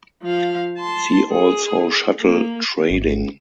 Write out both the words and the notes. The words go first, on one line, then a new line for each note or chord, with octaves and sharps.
See also Shuttle trading.
F3 F5
A5 C6
G#4
A#3
G#1